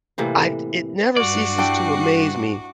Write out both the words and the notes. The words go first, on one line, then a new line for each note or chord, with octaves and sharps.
I it never ceases to amaze me
A2 C3 E3 A#3
G2 F#4 D5 D6 F#6 C7
D4 E4 G5